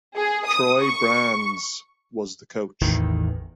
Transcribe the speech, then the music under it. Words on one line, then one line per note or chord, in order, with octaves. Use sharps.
Troy Brandes was the Coach.
G#4
D#6
C#6
A1 E2 D#3